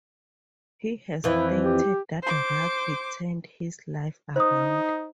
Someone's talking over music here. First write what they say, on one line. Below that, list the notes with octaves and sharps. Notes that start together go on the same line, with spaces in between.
He has stated that rugby turned his life around.
F2 E3 E4
G4
C5 D6
D#4 C5 D#6